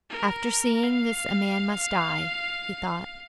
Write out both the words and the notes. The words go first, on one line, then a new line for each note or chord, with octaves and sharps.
After seeing this a man must die, he thought.
A#4
F5